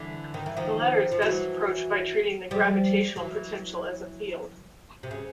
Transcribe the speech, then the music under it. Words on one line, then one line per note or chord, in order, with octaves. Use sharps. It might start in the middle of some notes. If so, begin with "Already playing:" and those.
The latter is best approached by treating the gravitational potential as a field.
Already playing: D3 E3
D#3
E3
D#3 F3
F3
E3 F#3
F3 G3
E3 F#3
C3
C#3